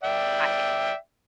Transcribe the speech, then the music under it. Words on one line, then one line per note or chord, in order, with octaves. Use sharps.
I think.
D5 E5 G5